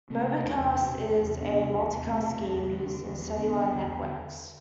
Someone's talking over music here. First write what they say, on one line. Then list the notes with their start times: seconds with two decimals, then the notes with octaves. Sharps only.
MobiCast is a multicast scheme used in cellular networks.
0.10 C3 A3 C4
0.27 C3
0.43 E2
0.59 E2
0.76 C3
0.93 C3
1.09 E2
1.25 E2
1.41 C3 B3 D4
1.58 C3
1.74 E2
1.90 E2
2.06 C3 A3 C4
2.23 C3
2.40 E2
2.55 E2
2.72 D3
2.89 D3
3.05 E2
3.21 E2
3.37 D3 B3 D4
3.54 D3
3.70 E2
3.86 E2
4.03 D3